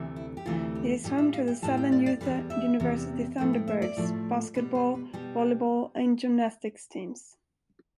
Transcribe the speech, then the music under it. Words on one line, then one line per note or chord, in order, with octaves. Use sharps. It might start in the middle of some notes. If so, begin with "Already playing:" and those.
It is home to the Southern Utah University Thunderbirds basketball, volleyball and gymnastics teams.
Already playing: D2 C3 E3 A3
E4
G4
D2 C3 E3 A3 F4
G4
A2 G3 G4
E5
F5
G5
A2 G3 A5
G5
D5
D5
E2 C3 G3 B4
E5
E2 C3 G3
A2 F3 A3 G5
G5
E5
D5
A2 F3 A3
B2 G3 B4
C5
B4
B2 G3 G4